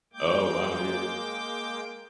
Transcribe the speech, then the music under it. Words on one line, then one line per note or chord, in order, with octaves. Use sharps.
Oh, wow, yes.
G#3 A#3 G5 D6 G6